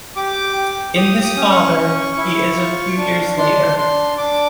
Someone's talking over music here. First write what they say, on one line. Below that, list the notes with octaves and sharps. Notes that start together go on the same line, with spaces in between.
In his father, he is a few years later.
G4 D6
G4
G4 D#6
D#6
C#4
C#6
C#4
E4
F4
D4
D4 C6
D4 C6
D4 D6